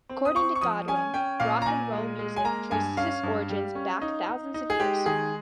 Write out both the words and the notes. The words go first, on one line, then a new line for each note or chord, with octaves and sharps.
According to Godwin, rock and roll music traces its origins back thousands of years.
C4
D#6
C4 C#6
C#6
F3 D#6
C#4 G#5
C#4 G5
A#2 F5
A#5
A#2 G#5
G#3
G#3
G#5
A#3 A#5
G2 G#5
C#4 F5
G2
G3
C#4
D#4
D#4
D#4
G#4
G#3 G4
D#3 G#4